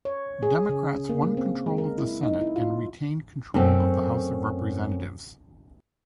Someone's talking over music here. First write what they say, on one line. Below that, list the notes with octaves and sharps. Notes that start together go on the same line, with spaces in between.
Democrats won control of the senate and retained control of the house of representatives.
C#5
G#4
C#3
A#3
A#3
C4
G#3
A#4
E4
D#4
E4
F4
F#2 A3 C4